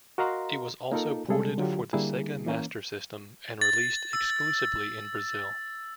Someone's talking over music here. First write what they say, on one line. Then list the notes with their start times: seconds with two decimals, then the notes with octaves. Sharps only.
It was also ported for the Sega Master System and released exclusively in Brazil.
0.18 F#4 A#4 D#5 F5 A#5 C6
0.92 A#3 D#4 F4 A4 A#4
1.29 C3 G3 G#3 G#4 A4
1.58 D3 F#3 F4 G4
1.93 D3 G3 A#3 E4 G#4
2.46 E3 A#3 C#4
3.61 A6
4.13 E6